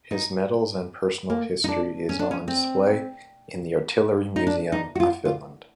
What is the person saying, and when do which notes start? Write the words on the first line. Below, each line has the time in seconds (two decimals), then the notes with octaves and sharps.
His medals and personal history is on display in The Artillery Museum of Finland.
0.11 D#4
1.30 A#3
1.64 D#4
1.68 D4
2.09 C#4
2.19 D4
2.31 C#4
2.48 C4
4.36 D#4
4.47 D4
4.72 D#4
4.95 F#4
5.00 F4
5.25 F4